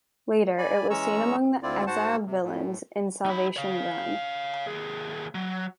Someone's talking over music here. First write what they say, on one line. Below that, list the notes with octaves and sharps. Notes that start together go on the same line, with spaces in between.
Later, it was seen among the exiled villains in Salvation Run.
D5 G#5 B5
E3 G#3 C#4 A#5 C#6 E6
D2 D3 C4 E4 F4 D5
G#2 F#4 C5 F#5 A5
C3
A2
D#4 B5
C#5 F5
D#2 G#4
F#3